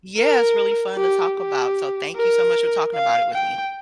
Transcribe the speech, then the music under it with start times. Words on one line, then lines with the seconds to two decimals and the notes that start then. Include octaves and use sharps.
Yeah, it's really fun to talk about. So thank you so much for talking about it with me.
0.18 A#4
0.97 G4
1.37 G4
2.15 A#4
2.95 F5
3.34 G5